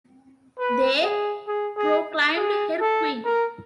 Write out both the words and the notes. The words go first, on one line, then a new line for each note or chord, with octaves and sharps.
They proclaimed her queen.
B4
G#4
G#4
G#4
G#4
A4
A#4